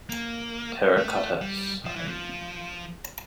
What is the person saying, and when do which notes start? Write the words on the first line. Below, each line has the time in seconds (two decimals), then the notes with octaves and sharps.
Terracotta sighing.
0.09 A#3
0.98 A3
1.41 G3
1.85 F3
1.96 E3
2.08 F3